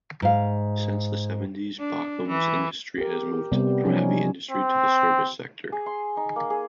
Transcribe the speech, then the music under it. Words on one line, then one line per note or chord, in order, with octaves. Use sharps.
Since the seventies, Bochum's industry has moved from heavy industry to the service sector.
G#2 F5
D4
E3
G4 A#4
C3 G3 B3
F3 F#3 C#4 D#4
C4
G#4
C6
D#4
A#3
G#4